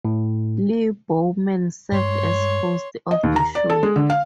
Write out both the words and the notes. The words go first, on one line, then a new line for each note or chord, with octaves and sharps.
Lee Bowman served as host of the show.
A2
G2 G#3 C#5 C6
D#5
D#2
A#5
D5
A4
G#3
D3
F5